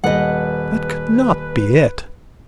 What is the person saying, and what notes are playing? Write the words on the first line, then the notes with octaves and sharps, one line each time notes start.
That could not be it.
D#1 B4 D#5 F#5